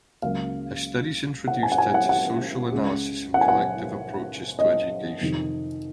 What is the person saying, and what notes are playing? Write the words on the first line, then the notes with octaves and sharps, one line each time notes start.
Her studies introduced her to social analysis and collective approaches to education.
C#2 C#3 F#3 A#3 F5
F#5
G#5
F#5
G#5
F#5
F#5
C#2 C#3 G#3
F#5
G#5
F#5
D#5
F2 C3 D#3